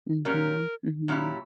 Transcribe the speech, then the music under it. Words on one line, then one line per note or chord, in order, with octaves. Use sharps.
Mhm. Mhm.
A#2 F#3 C#4 G4 A#4
A#2 F#3 C#4 E4 G4